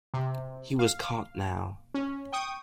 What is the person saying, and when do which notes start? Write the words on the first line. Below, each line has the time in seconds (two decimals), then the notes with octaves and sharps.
He was caught now.
0.14 C3
0.79 F5
1.94 C#4
2.32 G5 C#6 D#6